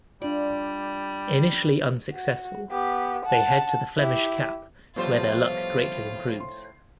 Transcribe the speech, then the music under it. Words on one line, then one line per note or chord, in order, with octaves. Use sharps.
Initially unsuccessful, they head to the Flemish Cap, where their luck greatly improves.
G3 D4 F4 D5
F#4
B3 G4
F#5 A5
E4 G4
A2 F3 G3 B3 F4 C5
C6